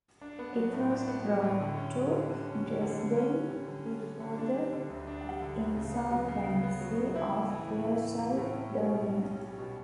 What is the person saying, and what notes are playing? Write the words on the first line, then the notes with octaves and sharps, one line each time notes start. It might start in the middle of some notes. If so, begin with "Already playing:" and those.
It was brought to Dresden before the insolvency of Fairchild Dornier.
D4
B3
F#3
A2
D4
B3
F#3
A2
D3
C#4
G3
D3
D3
C#4
G3
D3
D3
C#4
G3
D3
D3
C#4
G3
D3
D4
G3
D3
D2
D4
G3
D3
D2
C#3
B3
F#3
C#3
C#3
B3
F#3
C#3
E4
A3
E3
A2
E4
A3
E3
A2
C#4
G3
B2
B1
C#4
G3
B2